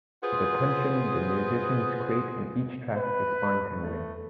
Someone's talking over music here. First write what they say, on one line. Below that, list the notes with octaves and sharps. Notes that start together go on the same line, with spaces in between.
The tension the musicians create in each track is spine tingling.
F4 F#4 G#4 B4 C5
B4
A3